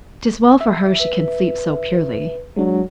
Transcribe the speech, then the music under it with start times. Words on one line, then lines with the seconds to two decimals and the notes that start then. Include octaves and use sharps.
'Tis well for her she can sleep so purely.
0.61 E5
1.00 B4
2.56 F#3 G#3 D4